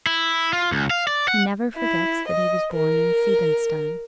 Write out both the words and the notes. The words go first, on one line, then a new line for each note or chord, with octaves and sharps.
He never forgets that he was born in Siebenstein.
E4
F4
C#2
F5
D5
F#5
E4
D#5
A#4